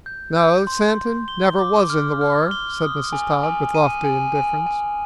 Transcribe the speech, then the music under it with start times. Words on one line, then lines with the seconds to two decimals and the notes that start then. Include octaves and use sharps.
"No, Santin never was in the war," said Mrs. Todd with lofty indifference.
0.06 G6
0.36 G6
0.67 C6
0.98 C6
1.28 G7
1.59 D6
1.90 F6
2.21 F6
2.51 G7
2.82 D#6
3.13 G#5
3.43 G#5
3.75 D#7
4.05 G#5
4.35 G#5
4.66 G#5